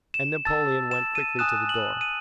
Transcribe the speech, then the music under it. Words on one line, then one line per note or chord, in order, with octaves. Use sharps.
And Napoleon went quickly to the door.
E7
A5 E6 A6
E7
D#7
G#5 D#6 F#6 E7
F#7
D#7